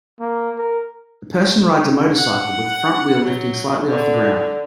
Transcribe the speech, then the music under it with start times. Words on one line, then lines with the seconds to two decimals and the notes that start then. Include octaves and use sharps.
A person rides a motorcycle, with the front wheel lifting slightly off the ground.
0.20 A#3
0.58 A#4
2.16 F#5
3.26 F#3
3.86 D3